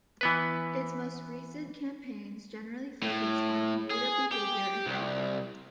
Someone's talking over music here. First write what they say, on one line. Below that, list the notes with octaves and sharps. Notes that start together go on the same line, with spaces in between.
Its most recent campaigns generally focused on commuter behaviour and etiquette.
E3 B3 B4
A2
G#4
G4
C2